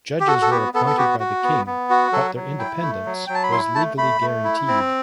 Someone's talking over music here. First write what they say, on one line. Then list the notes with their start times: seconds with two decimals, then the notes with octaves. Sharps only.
Judges were appointed by the king, but their independence was legally guaranteed.
0.20 G4
0.27 F#4 A4
0.42 A4
0.51 B3 G4
0.74 B3 A4
0.86 A4
0.98 F#4 G4
1.20 F#4
1.43 B3
1.67 B3
1.90 F#4
2.12 F#3 A4
2.35 F#3
2.59 E4 G5
2.82 A3
3.06 F#3
3.27 F#3 G5
3.35 A5
3.43 B5
3.52 E4 C6
3.75 A3 A5
3.97 A3 B5
4.21 A3
4.44 E4
4.68 C4